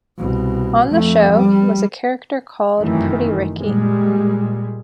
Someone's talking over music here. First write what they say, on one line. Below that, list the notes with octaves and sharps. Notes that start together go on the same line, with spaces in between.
On the show was a character called 'Pretty Ricky.
C2 B2
F2 A3
G3
F1 F#2 D#3 E3 A3
A#2 G3 G#3